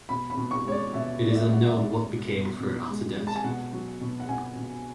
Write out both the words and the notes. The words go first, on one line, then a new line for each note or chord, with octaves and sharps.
It is unknown what became of her after that.
B2 B5
B5
B2
C#6
G#3 C#5
D5
B2 E5
G#3
D5
E5
G#3 F#5
E5
B2 D5
G#3
B2
B2
G#3
G#3
A5
G#5
B2 F#5
F#3
B2
F#5
B2 G#5
B2